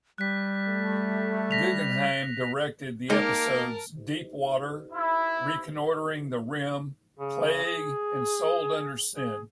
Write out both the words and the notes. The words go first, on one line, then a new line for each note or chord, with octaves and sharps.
Guggenheim directed the episodes "Deep Water", "Reconnoitering the Rim", "Plague" and "Sold Under Sin".
G3 F#6 B6
A3
A#6 B6 F7
G#3 A#3 D#4 G4 A#4 A5
E4
C#3
G#4
G#4